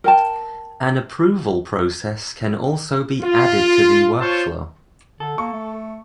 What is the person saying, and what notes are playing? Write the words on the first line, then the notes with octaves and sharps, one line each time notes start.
An approval process can also be added to the workflow.
A#4 G5 A5
F4
F4 C5 C#5 A5 C6 C#6
D3 A4
A#3 C#6
A3